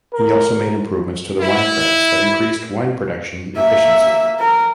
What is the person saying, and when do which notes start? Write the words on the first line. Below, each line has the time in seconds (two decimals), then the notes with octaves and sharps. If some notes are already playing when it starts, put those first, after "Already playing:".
He also made improvements to the wine press that increased wine production efficiency.
0.14 A#4
1.41 E4
3.57 A#3 E5
4.39 A#4